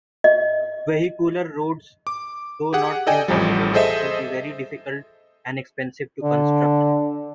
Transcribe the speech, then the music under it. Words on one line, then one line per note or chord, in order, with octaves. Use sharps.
Vehicular roads, though not impossible, would be very difficult and expensive to construct.
D#5
D6
G4 G#4 F#5
A4 D5 D#5 G5 G#5
A1 F2 F3 G3
G#4 A4 C5 D#5 E5
D3 D4